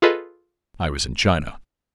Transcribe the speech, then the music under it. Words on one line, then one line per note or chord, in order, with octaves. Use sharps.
I was in China.
F4 G#4 A4 B4 D#5